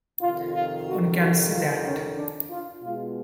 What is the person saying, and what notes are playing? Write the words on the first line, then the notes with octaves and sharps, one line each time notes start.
One can see that.
F2 C3 D#3 F4
F4
F#4
F#4
F4
C#4
D4
F4
B2 G#3 F4